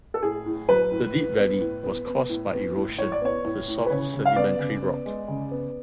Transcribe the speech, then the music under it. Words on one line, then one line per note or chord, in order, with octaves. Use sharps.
The deep valley was caused by erosion of the soft sedimentary rock.
A4
A2 G#4
A2
F#3 B4
A2
A2
B3
A2
B3
B3
A2
B3
A2
A2 C#5
D5
B3 C#5
A2
A2
B4
C#3 C#5
C#3
F5
B3 D5
C#3
B3
G#3
C#3
B3